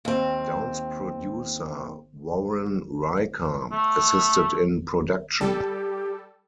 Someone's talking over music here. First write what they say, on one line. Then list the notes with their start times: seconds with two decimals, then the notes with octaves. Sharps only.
Down's producer, Warren Riker, assisted in production.
0.05 D#2 C4
3.72 A3
5.41 G3 G4 A4